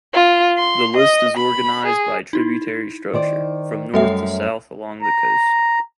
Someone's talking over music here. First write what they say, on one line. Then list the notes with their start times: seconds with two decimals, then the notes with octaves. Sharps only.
The list is organized by tributary structure, from north to south along the coast.
0.14 F4
0.57 C6
0.96 D#5
1.37 B5
1.86 G#4
2.33 D#4 E4
3.13 D#3 C5 D5
3.94 F#2 G3 A3 C4 A4 E5
5.02 A#5